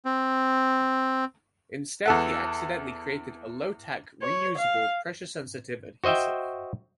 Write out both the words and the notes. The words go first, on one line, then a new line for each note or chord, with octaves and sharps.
Instead he accidentally created a "low-tack," reusable, pressure-sensitive adhesive.
C4
E2 A4 F#5
C#5
F5
F#4 C5 D#5 E5 G5